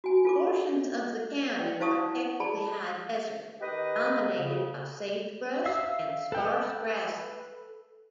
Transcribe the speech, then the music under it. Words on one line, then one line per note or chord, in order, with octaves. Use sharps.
Portions of the county are technically high desert, dominated by sagebrush and sparse grasses.
F#4 G#5
F4 A4 D6
D5 G5
E4 C5 F5 A5 C#6 D#6
G#4 D5 A5 B5
D#3 G4 B4 D#5
F2 C#3
E5 F5 E6
A4 B4 G5